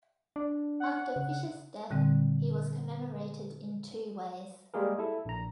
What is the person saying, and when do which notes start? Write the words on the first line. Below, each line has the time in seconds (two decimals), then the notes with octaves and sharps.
After Fisher's death he was commemorated in two ways.
0.36 D4
0.80 F#5
1.16 C#3
1.90 A#2 D3 G3 C4
4.74 G3 G#3 A#3 G#4 A#4
4.99 E4 A4
5.25 A#1 A#5